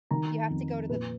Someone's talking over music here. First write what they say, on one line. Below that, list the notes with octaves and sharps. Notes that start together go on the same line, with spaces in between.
You have to go to the
D#3 A#5
F2
A#2 B4